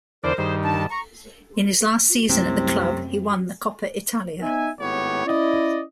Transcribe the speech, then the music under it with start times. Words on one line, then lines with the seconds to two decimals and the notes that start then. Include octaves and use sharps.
In his last season at the club, he won the Coppa Italia.
0.24 E2 D3 A#4 C5 D5
0.38 G2 D#3 G#4 C5
0.64 D4 D#4 A5
0.90 A#5 C#6
2.30 C2 F#2 C3 A3 C4
4.42 B3 D#4 E5 G#5
4.79 G#1 A2 B3 G4 C#5
5.26 C#4 E4 D5 D#5